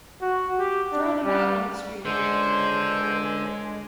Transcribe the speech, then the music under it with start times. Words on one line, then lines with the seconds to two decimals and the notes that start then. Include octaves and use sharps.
Throw them out on the street!
0.21 F#4
0.59 G4
0.92 D4
1.23 G3
2.05 C#2 D3 G#3 C5